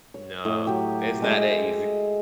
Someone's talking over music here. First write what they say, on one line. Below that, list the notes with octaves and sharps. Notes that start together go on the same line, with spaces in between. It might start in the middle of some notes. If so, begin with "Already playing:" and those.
No, it's not that easy.
C#5
A2
F#3 G4
G#3 D#5 E5